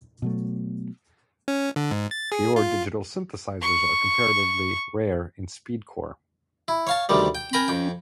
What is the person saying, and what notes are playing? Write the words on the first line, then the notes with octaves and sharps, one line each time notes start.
Pure digital synthesizers are comparatively rare in speedcore.
B2 F#3 A3
C#4
D3
G#2
A6
G#4
F4
C#6
E4
C#5 F5 A5
D2 C3 D#3 G3
G5
A#4 G5 G#5 A#5 B5
F2 G5